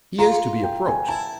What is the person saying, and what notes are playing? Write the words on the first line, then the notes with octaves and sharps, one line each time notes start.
"He is to be approached."
F4 A#5
G5
G#5
E4 A5